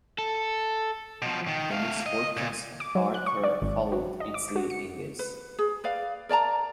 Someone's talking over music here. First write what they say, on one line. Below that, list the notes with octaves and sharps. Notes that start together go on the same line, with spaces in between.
"The Misfortunes of Arthur"-followed its lead in this.
A4
B2 F3
D#3
A3 F5
D#5
A#2
D6
F#3
F#6
C#6
D5
G#1
F#3
D#5
D6
F#4
C#7
B4
G#4
B4 D5 F5
A#4 D5 A5 A#5